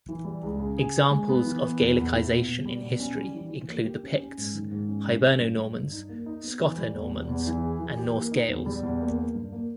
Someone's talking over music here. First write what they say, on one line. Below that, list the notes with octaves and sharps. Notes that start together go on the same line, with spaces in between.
Examples of Gaelicisation in history include the Picts, Hiberno-Normans, Scoto-Normans and Norse-Gaels.
E3
G3
C#2
C#3
G#4
G#4
G#3
B3
E3
B3
E2
E2
E4
B2
B2
G3
B2
C#4
G3
E3
E3
A#3
G4
C#4
C#4
G#2
D#3
G#2
C#4
C#4
C#4
G2
G2
G2
D#4
A#3
D#4
B3
E3
G3
E2
G3
E2
E3
G#4
E3
G4
A#3
D#4
E2
G3
E2
A#3
A#3
G2
A#3